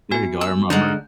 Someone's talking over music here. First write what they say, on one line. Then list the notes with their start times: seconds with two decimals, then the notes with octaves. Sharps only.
there you go. I remember.
0.11 B3 F#4 G#5
0.41 E6
0.70 D3 G#3 D#4 F4 F#4 G6